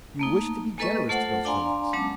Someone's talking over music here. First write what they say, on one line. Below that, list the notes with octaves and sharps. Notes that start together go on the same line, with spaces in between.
You wish to be generous to those villains!
A3 A#3 D#4
G#3 A#3 A4 B4 D#5 C#6
A3 F4 A4 C5 F#5
D4 D5 F5 G#5 A#5 C6
F#3 G#3 B3 C#4 A5 D6